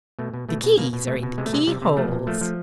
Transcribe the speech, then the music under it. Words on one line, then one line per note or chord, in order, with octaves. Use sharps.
The keys are in the keyholes.
B2 A3
B2
B2 A3
B2
B2 A#3
B2
B2 A3
B2
C3 G#3
A3
C3 G#3
C3 G3
C3
F3 A3
A#2
F3 A3
F3